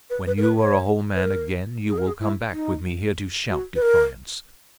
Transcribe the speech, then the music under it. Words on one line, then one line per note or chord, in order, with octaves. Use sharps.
When you are a whole man again, you will come back with me here to shout defiance.
B4
B4
A#4
B4
C#5
B4
A#4
G#4
A#4
G#4
E4
D#4
F#4
B4
A#4